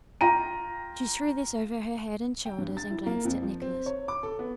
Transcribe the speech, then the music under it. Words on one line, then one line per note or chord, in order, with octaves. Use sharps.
She threw this over her head and shoulders and glanced at Nicholas.
F4 G5 A#5 D#7
G5
G2
A6
E4
A#3
F2
F3
C4
C#5
D6
A4
B3